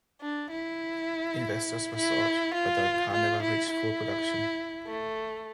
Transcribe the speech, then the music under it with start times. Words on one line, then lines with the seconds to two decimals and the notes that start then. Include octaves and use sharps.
Investors were sought but the car never reached full production.
0.21 D4
0.51 E4
1.96 E4
2.54 F4
3.13 F4
3.42 E4
3.71 E4
4.87 A3